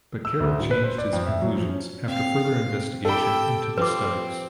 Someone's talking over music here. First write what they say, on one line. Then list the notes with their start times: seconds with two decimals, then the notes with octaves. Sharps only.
But Carroll changed his conclusions after further investigation into the studies.
0.25 E6
0.40 D2
0.59 D1
0.71 B4
0.84 C5
0.98 D5
1.13 F2
1.27 E5
1.42 F#3
1.56 F3
1.69 C#4
2.08 C4 F5
3.05 G4 A4 G5 B5 E6
3.78 F3 C4 B4 D6